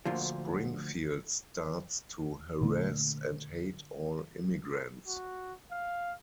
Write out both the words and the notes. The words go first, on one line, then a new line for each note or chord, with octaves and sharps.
Springfield starts to harass and hate all immigrants.
D2 A#2 D3 F3
A#2 D3 A3
F#4
F5